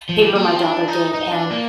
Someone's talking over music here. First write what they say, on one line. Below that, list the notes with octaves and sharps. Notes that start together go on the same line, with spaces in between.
paper my daughter did, and
F3
G3
A#3
C4
D4
D#4
D#4
D4
A#3